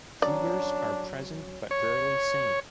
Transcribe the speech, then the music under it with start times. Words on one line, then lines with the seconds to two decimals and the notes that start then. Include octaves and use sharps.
Cougars are present but rarely seen.
0.22 F#3 C#4 D4 D5
1.71 C#5